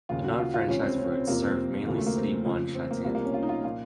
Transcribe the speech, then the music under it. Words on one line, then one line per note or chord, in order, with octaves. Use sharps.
The non-franchised routes serve mainly City One Sha Tin.
D#2 C#3 F3 F4
F#4
F4
F4
C#2 C3 F3 C#4
C4
C#4
C4
F2 C3 F3 A#3
C4
D#2 C#3 F3 F#3
A3
A#3
C4
F2 C#3 F3
C4
A#3
C2 C3 F3 A#3
A#3
C#4
F4
D#4
F4
A#2 F3 F4